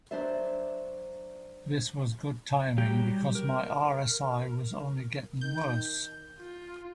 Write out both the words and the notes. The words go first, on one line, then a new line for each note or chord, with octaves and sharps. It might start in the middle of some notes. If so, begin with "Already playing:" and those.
This was good timing, because my RSI was only getting worse.
F#3 D4 C5 D5 E5
F#3 G3 G4 G5 A#5
A#4
D#3 G6
F4